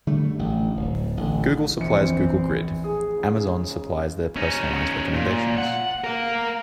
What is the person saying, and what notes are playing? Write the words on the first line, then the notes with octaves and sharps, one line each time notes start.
Google supplies Google Grid, Amazon supplies their personalized recommendations.
D3 G3 A3
A1 A3
D1
A1 D3
A#1 E2 C4 C#7
A2 G#4
A#2 C#3 E3
G#2 C#3
C#4 D#4
A#2
F#5
A#4 F5